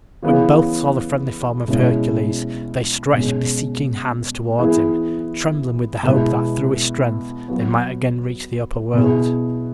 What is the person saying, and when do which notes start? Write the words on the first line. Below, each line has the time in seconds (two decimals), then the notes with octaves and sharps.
When both saw the friendly form of Hercules they stretched beseeching hands towards him, trembling with the hope that through his strength they might again reach the upper world.
0.23 C#3 E3 B3 G#4
1.68 B2 G#3 C#4 E4 G#4
3.13 B2 G#3 C#4
4.59 E3 B3 E4 G#4
6.03 B2 G#3 B3 E4
7.48 F#3 B3 F#4
8.94 B2 B3 E4 G#4